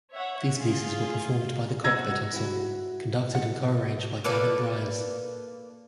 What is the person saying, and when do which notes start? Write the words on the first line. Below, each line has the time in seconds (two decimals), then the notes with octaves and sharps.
These pieces were performed by the Cockpit Ensemble, conducted and co-arranged by Gavin Bryars.
0.14 C#5 E5 F#5
0.55 A3 F4 G#4
1.84 F#4 F#5 E6 G#6 A#6
2.33 E4 F#4
3.35 F#5
4.24 A#3 A4 B4 D5